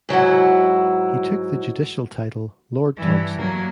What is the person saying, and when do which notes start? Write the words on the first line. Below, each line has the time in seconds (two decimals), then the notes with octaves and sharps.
He took the judicial title Lord Thomson.
0.09 G#2 F#3 E4 F#5
2.97 G2 E3
3.37 F#3 A#3